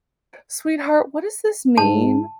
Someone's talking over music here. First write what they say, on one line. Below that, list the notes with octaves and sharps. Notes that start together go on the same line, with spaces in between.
"Sweetheart, what does this mean?"
G#2 A5